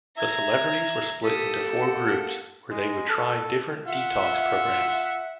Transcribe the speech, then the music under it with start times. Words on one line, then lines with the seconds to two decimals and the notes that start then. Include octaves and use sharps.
The celebrities were split into four groups where they would try different detox programmes.
0.17 E5 A#5 G#6
1.24 A#3 G4 A4 D#6 B6
1.73 F#5
2.70 G#3
3.09 A4
3.87 F4 E5 F#5